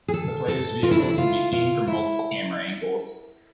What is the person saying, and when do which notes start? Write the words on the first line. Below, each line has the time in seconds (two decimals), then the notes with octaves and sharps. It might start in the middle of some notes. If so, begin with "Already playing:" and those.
The player's vehicle can be seen from multiple camera angles.
0.08 G#4
0.14 A4
0.48 A4
0.83 F4
0.91 E4
1.00 D4
1.08 E4
1.18 F4
1.53 F4
1.87 E4